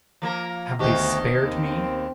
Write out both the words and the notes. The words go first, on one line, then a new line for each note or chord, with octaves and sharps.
Have they spared me?
F3 A#3 A#4
D2 D#3 B3 F#4 G4 C5 A5
D#2 C4